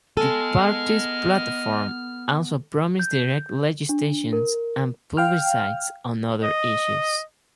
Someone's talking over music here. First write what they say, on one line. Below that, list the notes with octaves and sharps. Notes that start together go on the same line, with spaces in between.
The party's platform also promised direct legislation and plebiscites on other issues.
B3 A4 D#5 G#5 F6
G6
D4
A#4
F5 G5 F6
D#5